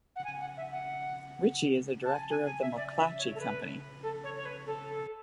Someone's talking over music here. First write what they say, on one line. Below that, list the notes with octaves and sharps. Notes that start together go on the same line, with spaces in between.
Ritchey is a director of The McClatchy Company.
F#5
G#5
F#5
E5
F#5
A5
G#5
G#5
G#5
E5
D5
E5
C#5
A4
B4
A4
C#5
C#5
B4
A4